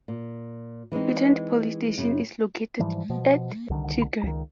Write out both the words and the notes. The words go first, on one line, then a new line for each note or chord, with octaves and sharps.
Pirtand police station is located at Chirki.
A#2
E3 G#3 C4 D#4
F#2 C#3
G#2 E3 F3 G3
B2 F3
C2 D3 D#3
C#2 D#3